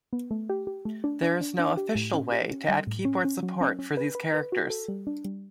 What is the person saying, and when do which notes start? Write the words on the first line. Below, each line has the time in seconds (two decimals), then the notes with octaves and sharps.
There is no official way to add keyboard support for these characters.
0.13 B3
0.31 A3
0.49 G4
0.67 G4
0.85 A3
1.04 D4
1.22 D4
1.41 D4
1.59 D4
1.77 G4
1.95 A2
2.14 C#4
2.32 G4
2.51 C#4
2.69 G3
2.87 A2
3.05 C#4
3.24 C#4
3.43 F#3
3.61 C#4
3.79 C#4
3.97 B4
4.15 B4
4.34 B4
4.52 F#4
4.70 A4
4.88 G3
5.07 D4
5.25 G3